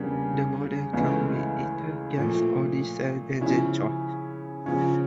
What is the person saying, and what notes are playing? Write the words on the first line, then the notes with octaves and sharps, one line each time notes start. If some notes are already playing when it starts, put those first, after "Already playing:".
The model comes with either gas or diesel engine choices.
Already playing: E2 C#3 G3 A#3 D4
C#2 C#3 E3 A3 E4
A#2 F3 A3
C#3 F3 C#4 E4
C#3 F3 C#4 F4